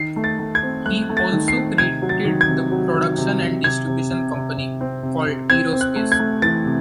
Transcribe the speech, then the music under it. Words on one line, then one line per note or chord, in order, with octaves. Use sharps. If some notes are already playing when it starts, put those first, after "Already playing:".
He also created the production and distribution company called Eurospace.
Already playing: D#3 C7
A3
A6
A3
G#6
C4
A3 F#6
A3
A6
D#3
C7
C4
C3 G#6
F#3
A6
D#3
G#6
C3
F#3
D#3
C3
C3
C3 G#6
C3
C3
C3
C3
C4
C3
C3
C4 G#6
C4
F#6
A3
G#6
A3
E3 A6
C3